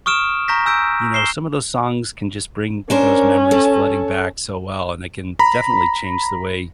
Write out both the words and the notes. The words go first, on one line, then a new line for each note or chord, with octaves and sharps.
you know, some of those songs can just bring those memories flooding back so well, and they can definitely change the way
C#6 D#6 F6 D7 E7
A#5 C#6 G6 A#6 B6
G#5 E6 G6 D7
C7 E7 G7
C#4 D4 A#4 C5
A4
A#5 B5